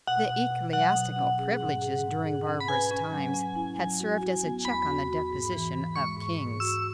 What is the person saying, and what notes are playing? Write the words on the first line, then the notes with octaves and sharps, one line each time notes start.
The ecclesiastical privileges, during barbarous times, had served as a check on the despotism of kings.
B2 F#5
B2
B2
F#3 F#5
B2
C#4
G#4
G#2
G#4
G#2
G#4
C#4
B5
B4 G#5
C#4
F#3
C#4
E4
F#3
F#4
F#4
B3
E2 B5
F#4
F#4
G#2
E3
E3
G#3 C#6
G#2
G#2
F#4 E6